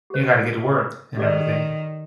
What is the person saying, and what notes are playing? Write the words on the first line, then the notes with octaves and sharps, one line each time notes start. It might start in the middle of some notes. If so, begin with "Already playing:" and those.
you gotta get to work," and everything.
G4 C5
D#3 G4 A4 D5